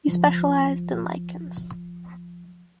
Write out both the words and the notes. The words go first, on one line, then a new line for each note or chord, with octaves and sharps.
He specialized in lichens.
C#2 F3